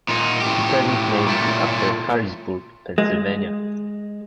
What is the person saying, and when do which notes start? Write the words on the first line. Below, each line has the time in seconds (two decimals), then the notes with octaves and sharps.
The present name is after Harrisburg, Pennsylvania.
0.09 A#2 D#4
0.41 A2 G4
1.27 A#2 A3
2.98 G#3